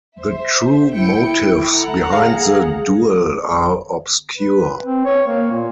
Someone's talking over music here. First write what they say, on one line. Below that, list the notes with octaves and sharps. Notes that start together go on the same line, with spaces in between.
The true motives behind the duel are obscure.
C5 E5
E4 G5 C#7 D7
A4 F#5 A#5
G#4 F5
B4
C4
C#5
A#3
A#2